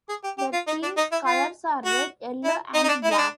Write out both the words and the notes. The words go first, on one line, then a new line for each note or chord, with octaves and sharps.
The team's colours are red, yellow and black.
G#4
G4
G4
F4
D#4
D4
D#4
E4
F4
F#4
E4
D#4
D#4
D4
E4
D#4
D4